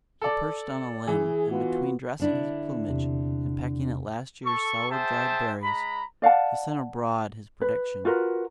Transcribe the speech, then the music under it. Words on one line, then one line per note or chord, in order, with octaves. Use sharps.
He perched on a limb, and between dressing his plumage and pecking at last year's sour dried berries, he sent abroad his prediction.
A4 D5
E3 G#4
B3 F4 F#4
D3 D4 E4
E2 C3
A4 C#6
G#4 C5 E5 G5 A5
G#3 A#5 B5
D5 F5 F#5 A5
B4
F4 F#4 A#4 B4